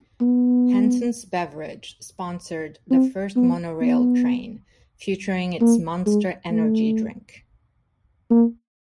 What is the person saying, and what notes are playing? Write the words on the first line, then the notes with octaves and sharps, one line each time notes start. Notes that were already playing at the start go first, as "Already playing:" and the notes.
Hansens Beverage sponsored the first monorail train, featuring its Monster Energy drink.
B3
C4
B3
B3
A#3
G#3
A3
A#3